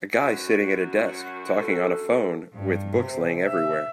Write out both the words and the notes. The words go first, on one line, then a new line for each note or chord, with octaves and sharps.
A guy sitting at a desk talking on a phone with books laying everywhere.
F#2 F#4
A4
G2
C3
E5